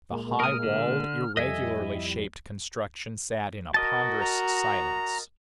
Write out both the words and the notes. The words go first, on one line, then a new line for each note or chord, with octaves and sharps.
The high-walled, irregularly shaped construction sat in a ponderous silence.
A#2 G#3 A#3
A#4 D#6 F6
D3
F2 G3 A4 D#5 E5 G#5
E4
F#4 A#4 D#5 A5
A#5